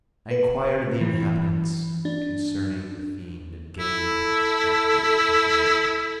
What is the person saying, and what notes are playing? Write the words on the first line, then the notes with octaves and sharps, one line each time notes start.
I inquired of the inhabitants concerning the fiend and gained accurate information.
B4
E3
D4
E4 A4